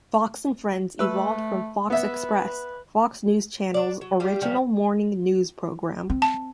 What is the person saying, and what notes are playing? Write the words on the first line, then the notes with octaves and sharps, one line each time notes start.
"Fox and Friends" evolved from "Fox X-press", Fox News Channel's original morning news program.
A3 B4 E6
B3 B4 E5
D4 D5
F#3
G3 F4 G4
A#2 F3 G3 C#4
C4
A5